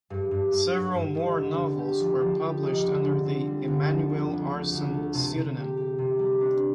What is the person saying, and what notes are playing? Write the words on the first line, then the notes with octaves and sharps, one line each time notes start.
Several more novels were published under the Emmanuelle Arsan pseudonym.
G2
G2
G2
G2
G2
D#3
D3
D3
G4
F3
F3
G4
D#4
D3
D3
C4
G3
D3
F3
D2
D2
A3
D2
A3
C3
C3
G4
G4
C3
G3
D4